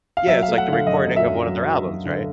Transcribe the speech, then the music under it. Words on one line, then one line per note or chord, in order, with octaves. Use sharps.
Yeah, it's like the recording of one of their albums, right?
F5
F#3 E5
F5
A3
F#5
D3
F5
F#2 D#5
F#3
E5
F#2
F#3
F#3
F#3
D3